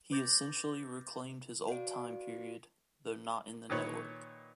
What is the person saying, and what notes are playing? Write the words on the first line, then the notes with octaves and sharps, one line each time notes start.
He essentially reclaimed his old time period, though not in the network.
B4 D6 G6 A6 A#6
F#4 B4 D5 F5 D7
A#2 D#3 B4 C#5